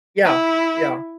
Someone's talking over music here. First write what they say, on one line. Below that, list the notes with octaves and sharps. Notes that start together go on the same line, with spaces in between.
Yeah, yeah.
E4